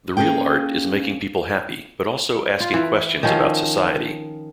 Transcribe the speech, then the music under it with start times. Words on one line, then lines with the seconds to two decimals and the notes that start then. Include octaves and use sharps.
The real art is making people happy, but also asking questions about society.
0.17 A#3 C#4 G#4 A4 G5
2.60 F4
2.74 E3
3.23 D#3 F3 C#4